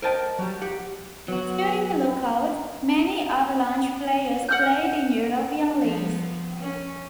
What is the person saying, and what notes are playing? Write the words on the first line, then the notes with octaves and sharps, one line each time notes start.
During the lockout, many Avalanche players played in European leagues.
A#4 C5 D#5 G5 A5
F#3 G3
G4 F#5
F#3 B3 F#4
F#5 F6 G6
F3 B3
C#4